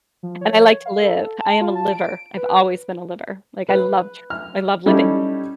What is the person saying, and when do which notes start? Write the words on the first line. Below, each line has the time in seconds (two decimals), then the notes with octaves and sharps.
And I like to live. I am a liver, I've always been a liver. Like, I loved I love living.
0.23 F3
0.41 C#5
0.56 C#5
0.85 F5
1.02 A4
1.41 A5
1.61 F4
1.75 A5
1.92 D7
2.37 B4
3.69 B4
4.30 F6
4.86 G3 C#4 D#4 E4 G4 A4